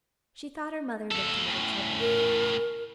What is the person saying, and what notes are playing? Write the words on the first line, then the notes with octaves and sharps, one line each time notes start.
She thought her mother looked a little troubled.
D#2 A4
A2 C#3
A#4